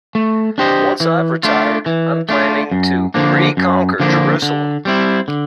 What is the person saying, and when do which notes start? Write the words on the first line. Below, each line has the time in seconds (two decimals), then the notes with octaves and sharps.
Once I've retired, I'm planning to reconquer Jerusalem.
0.15 A3
0.58 D4 G4 C5 D#5
1.00 E3
1.43 A3 D4 F4
1.86 E3
2.29 A3 D4 F4
2.71 F#2
3.14 D3 F3 A#3 D4
3.57 F#2
4.00 D3 F3 A#3 D4
4.42 D3
4.85 G3 C4 E4
5.28 D3